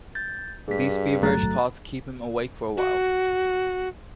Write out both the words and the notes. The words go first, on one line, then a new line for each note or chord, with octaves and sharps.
These feverish thoughts keep him awake for a while.
G6 A6
G2 G#4 B6
G1 F#3 A3 A#5 F#6 A6
F#4